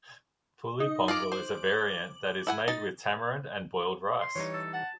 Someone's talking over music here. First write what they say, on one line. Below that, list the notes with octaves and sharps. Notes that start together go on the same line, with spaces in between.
Puli pongal is a variant that is made with tamarind and boiled rice.
D#4
F4 G#4 A#4 D6 F#7
C5
E4 F#5 G#5
D#4 A6
C6
E3 G3 D#4 C#5
A4
F#5 A5